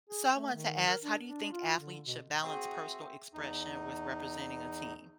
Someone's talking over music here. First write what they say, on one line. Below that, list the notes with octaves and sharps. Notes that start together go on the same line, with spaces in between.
So I want to ask, how do you think athletes should balance personal expression with representing a team?
G#4
A3
D#3
A#4
D4
D4
F4
D3
B2
C4 F#4 G#4 C5 E5
E2 D#4